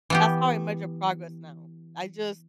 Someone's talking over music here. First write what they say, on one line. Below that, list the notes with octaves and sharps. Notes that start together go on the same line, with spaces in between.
that's how I measure progress now. I just
E3 B3 G4